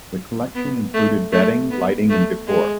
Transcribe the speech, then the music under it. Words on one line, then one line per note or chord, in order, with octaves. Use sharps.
The collection included bedding, lighting, and decor.
B3
A3
A3
B3
A3
G#3